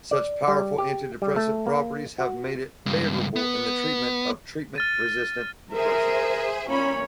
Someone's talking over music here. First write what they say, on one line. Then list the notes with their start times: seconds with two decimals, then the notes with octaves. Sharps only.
Such powerful antidepressant properties have made it favorable in the treatment of treatment-resistant depression.
0.11 D5
0.48 G3
0.78 G4
1.22 G3
1.36 A3
1.67 A#3
2.18 F#4
2.86 C#2 G2
3.36 B3
4.76 F6 A6 D#7
5.73 G#4 A#4 C5 E5
6.68 A#2 C#4 C#5 B5